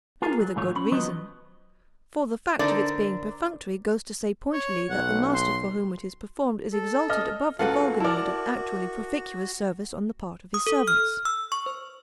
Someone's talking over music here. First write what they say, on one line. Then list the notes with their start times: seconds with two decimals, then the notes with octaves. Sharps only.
And with a good reason, for the fact of its being perfunctory goes to say pointedly that the master for whom it is performed is exalted above the vulgar need of actually proficuous service on the part of his servants.
0.22 F4 G#4 A#4
0.40 F#3
0.56 G#2 D#3 A3 F4 C#5
0.76 C#4 B5
0.92 D#3 F3 F#3 B3 C5 D#5
2.59 D3 D4 D#4 A#4 C5 D5
4.53 C#5
4.90 B1 F#5
5.34 C6
6.72 A4
7.09 D#5 F6
7.59 C#2 F#4 A4 B4 F5 F#5
8.00 E4 A#4 D5 A5
10.54 D#6
10.67 A4
10.88 F6
11.25 E6
11.52 C#6
11.66 C5